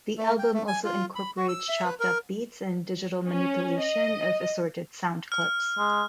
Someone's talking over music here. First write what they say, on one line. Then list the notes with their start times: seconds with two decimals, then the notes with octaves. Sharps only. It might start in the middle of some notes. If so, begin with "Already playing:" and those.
The album also incorporates chopped up beats and digital manipulation of assorted sound clips.
0.18 A3
0.39 G5
0.53 A3
0.68 G#5
0.84 F4
1.15 B5
1.37 F#4
1.49 E6
1.69 E5
1.85 B4
2.00 A#4
3.27 C#4
3.81 D#5
5.32 F6
5.78 G#3